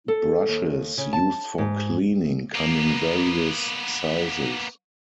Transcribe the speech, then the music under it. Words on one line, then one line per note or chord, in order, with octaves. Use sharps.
Brushes used for cleaning come in various sizes.
A4
D#2
C#3
A5
G#2
A#3 B3